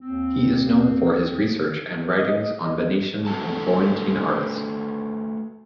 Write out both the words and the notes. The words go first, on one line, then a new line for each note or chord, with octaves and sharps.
He is known for his research and writings on Venetian and Florentine artists.
D#2 C4
D#5
A3 F#4 A4 B4 A5